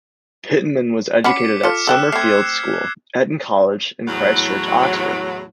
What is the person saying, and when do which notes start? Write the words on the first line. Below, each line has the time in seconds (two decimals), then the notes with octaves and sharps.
Pitman was educated at Summer Fields School, Eton College and Christ Church, Oxford.
1.24 C#4 F#5 B5 D6 B6 C#7
1.63 F4 A4 D6 F6 C#7
1.87 A4 F#5 G5 E6 F#6 E7
2.12 A3 C4 G#6 C7
4.08 E2 A2 F#3